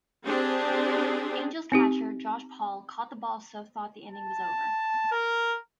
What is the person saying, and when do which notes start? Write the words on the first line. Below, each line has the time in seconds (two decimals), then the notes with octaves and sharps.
Angels catcher Josh Paul caught the ball so thought the inning was over.
0.24 C4 D4 G4 G#4
1.72 C4 D#4 G4
4.09 A5
5.12 A#4